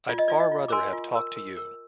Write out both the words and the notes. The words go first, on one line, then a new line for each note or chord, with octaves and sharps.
I’d far rather have talked to you.
F4 D5
D#5
F4 D5
D#5
F4
D6
A#4 G#5 C6
F4
A#4
A#4
A#4